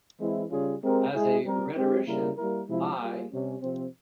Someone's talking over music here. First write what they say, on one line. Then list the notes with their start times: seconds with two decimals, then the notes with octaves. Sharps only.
As a rhetorician, I.
0.19 E3 G#3 C4 E4
0.50 C#3 G3 C#4 F4 G#4
0.82 G#3 C4 G4 A#4
1.13 G#3 E4 G#4
1.43 G3 C4 G4 A#4
1.74 G#3 C4 G4
2.06 C#3 G3 A#3 E4 A#4
2.37 G3 A#3 E4 A#4
2.68 C3 F3 G#3 E4
3.00 G3 A#3 F4 G#4
3.31 C3 G3 C#4
3.61 C3 F3 C4